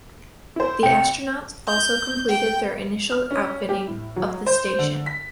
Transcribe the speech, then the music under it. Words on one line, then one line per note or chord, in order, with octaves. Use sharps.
The astronauts also completed their initial outfitting of the station.
E4 C5
C2 G5 C#7
G6
G5
F6
C#4
G4
A2
F#3
C5
D3
B6